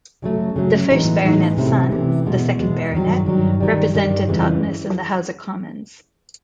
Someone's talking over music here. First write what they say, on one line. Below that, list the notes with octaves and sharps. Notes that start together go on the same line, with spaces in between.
The first Baronet's son, the second Baronet, represented Totnes in the House of Commons.
C#3 F#3 A3
C#3 F#3 A3
A2 E3 G#3 B3 D#4
A2 E3 G#3 B3 D#4
C3 E3 A3 C#4 E4
C3 E3 A3 C#4 E4
E2 B2 G#3
E2 B2 G#3
G2 D#3 F#3
G2 D#3 F#3
G2 D#3 G3
G2 D#3 G3
F2 C#3 E3 G#3